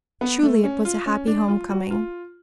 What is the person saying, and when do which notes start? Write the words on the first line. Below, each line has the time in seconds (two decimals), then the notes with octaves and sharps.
Truly it was a happy home coming.
0.21 B3
0.43 A3
0.64 C#4
0.85 F4
1.06 C#4
1.27 D4
1.48 F4
1.69 F#4
1.91 F4